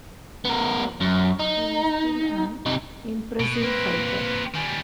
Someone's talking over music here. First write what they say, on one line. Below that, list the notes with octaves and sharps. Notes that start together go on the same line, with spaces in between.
However, he is still an impressive fighter.
B3 A#4
F#2
D#4
C3 D#4
B2
A#3 C4 B4
D#3 G3 G#5